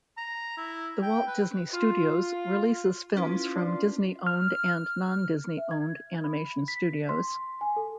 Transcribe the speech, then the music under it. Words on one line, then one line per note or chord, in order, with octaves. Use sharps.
The Walt Disney Studios releases films from Disney-owned and non-Disney owned animation studios.
A#5
E4
G5
B4
F4
C#4 E4 F4 B4
D4 C6
F6
E5
G#6
B5
B6
C6
G#5
A4